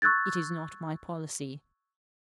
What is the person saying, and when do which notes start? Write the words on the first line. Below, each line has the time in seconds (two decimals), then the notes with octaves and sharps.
It is not my policy.
0.02 C#6 E6 F#6 G#6 A6